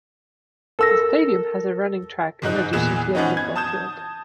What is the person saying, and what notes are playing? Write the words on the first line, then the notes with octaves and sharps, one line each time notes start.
The stadium has a running track, in addition to the football field.
A4 A#4 E6 A#6
F#1 G#2 D#4 F#6
E2 A#2 E3 G#4 F#6 E7
E3 F3 B3 C#4 D#4
G#6
A5 D#6 G6 E7